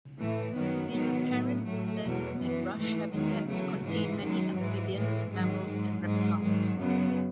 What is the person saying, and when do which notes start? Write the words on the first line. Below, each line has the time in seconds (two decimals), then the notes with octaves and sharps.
The riparian woodland and brush habitats contain many amphibians, mammals and reptiles.
0.19 A2 E3 A3
0.55 F#2 D#3 F#3 B3
0.92 G#2 D#3 F#3 B3
1.28 A2 F#3
1.65 A2 F#3 A3
2.02 E2 B2 F#3
2.38 F#2 E3 B3
2.75 G#2 E3 A3
3.12 E2 D#3 F#3 G#3
3.48 E2 C#3 F#3 A3
3.85 G#2 E3 G#3
4.21 F#2 D#3 F#3 G#3
4.58 G#2 E3 G#3
4.94 A2 E3 G#3
5.31 G#2 D#3 F#3 G#3
5.68 G#2 F#3
6.04 G#2 F#3 G#3
6.41 G#2 D#3 F#3 G#3
6.77 F#2 C#3 F#3 B3